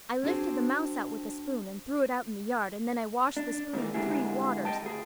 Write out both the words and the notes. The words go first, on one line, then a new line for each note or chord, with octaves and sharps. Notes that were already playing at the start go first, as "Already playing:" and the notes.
I lifted the mouse out with a spoon and threw it out in the yard and then I washed the spoon in three waters.
C4 D4 F#4 G#4 C5
D4
G#2 D#3 E3 A#3
D3 G3 G#3 E4 G#4
D#5 E5 G5 A5
D2 G#4